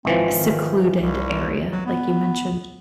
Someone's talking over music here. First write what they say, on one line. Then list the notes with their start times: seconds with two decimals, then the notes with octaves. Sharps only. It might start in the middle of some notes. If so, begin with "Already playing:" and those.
secluded area like you mentioned.
0.05 G#1 E3 F3 C4
0.37 D#3
0.98 C2
1.72 F#3
1.86 B3